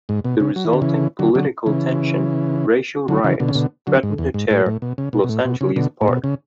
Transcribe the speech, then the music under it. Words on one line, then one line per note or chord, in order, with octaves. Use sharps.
The resulting political tension and racial riots threaten to tear Los Angeles apart.
G#2
B2
C#3
F#3
E3
D3
C#3 E3
D3 F#3
D3 F#3
C#3 E3
D3 F#3
C#3 E3
B2 D3
C#3
B2 D3
D3 F#3
G#2
E2
G#2
A2
A2
B2
C#3
B2
B2
A2
B2
C#3
B2 D3
A2
B2
C#3